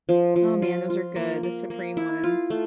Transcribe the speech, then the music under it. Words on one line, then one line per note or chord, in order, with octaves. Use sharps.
Oh, man, those are good, the supreme ones.
F3
F3
F4
F4
A#3
A#3
A#3
E4
F4
A3